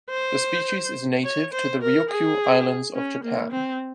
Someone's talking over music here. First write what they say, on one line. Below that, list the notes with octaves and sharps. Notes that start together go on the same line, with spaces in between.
The species is native to the Ryukyu Islands of Japan.
C5
C#5
C5
A#4
G#4
C#4
A#3
C4